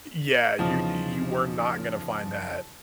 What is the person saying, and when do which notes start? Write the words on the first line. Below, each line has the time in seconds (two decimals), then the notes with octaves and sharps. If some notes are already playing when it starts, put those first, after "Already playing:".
yeah, you you were not gonna find that
0.58 E2 C#3 F3 D#4 F4